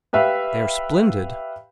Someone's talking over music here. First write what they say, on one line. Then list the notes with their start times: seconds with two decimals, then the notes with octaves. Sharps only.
They are splendid.
0.13 G4 B4 E5 F5